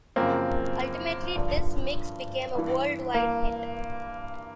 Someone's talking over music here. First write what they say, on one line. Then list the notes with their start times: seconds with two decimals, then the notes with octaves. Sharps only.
Ultimately this mix became a worldwide hit.
0.16 F#2 C#3 F3 A#3 C4
1.35 G2 D3 F3
2.55 G2 E3
3.14 A#3